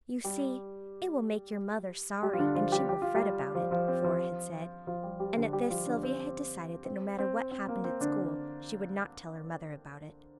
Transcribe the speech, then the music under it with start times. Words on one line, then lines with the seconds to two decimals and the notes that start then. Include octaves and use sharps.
"You see, it will make your mother sorry, and she will fret about it," Flora had said; and at this Sylvia had decided that no matter what happened at school she would not tell her mother about it.
0.24 G3 G4
2.22 G3 G4
2.33 F4
2.39 D3 D4
2.55 F3 F4
2.72 G3 G4
2.89 G4
3.02 F4
3.15 G3 G4
3.55 F3 F4
3.71 F3 F4
3.88 C4
4.04 F3 F4
4.87 F3 F4
5.03 G3 G4
5.20 G3 G4
5.37 D3 D4
5.53 G3 G4
5.70 F3 F4
5.86 D3 D4
6.03 C4
6.85 C4
7.18 C4
7.51 C4
7.69 A#3
7.84 C4
8.01 D3 D4